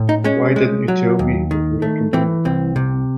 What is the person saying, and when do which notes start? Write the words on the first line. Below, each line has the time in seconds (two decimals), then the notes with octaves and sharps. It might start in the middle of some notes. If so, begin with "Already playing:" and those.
Why didn't you tell me before I came home?
Already playing: A2
0.09 D#4
0.24 G#3 C#4
0.56 G#3
0.88 F#3
1.19 D#2
1.51 D#3
1.82 A3
2.13 E3 C4
2.45 C2 C4
2.76 C3